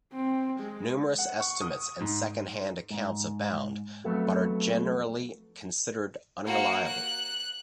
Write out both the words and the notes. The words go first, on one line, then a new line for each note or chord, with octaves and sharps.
Numerous estimates and second-hand accounts abound, but are generally considered unreliable.
C4
G#3
F#5
C#6
D#6
G#2
G#2
F2 F#3 A3 B3
A#3 F#4
F#6